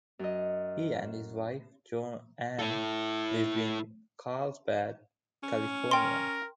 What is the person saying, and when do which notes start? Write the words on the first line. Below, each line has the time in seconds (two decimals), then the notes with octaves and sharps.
He and his wife JoAnn live in Carlsbad, California.
0.19 F#2 D#5
2.59 E4 A4
5.43 C#4
5.91 A#4 G5 C6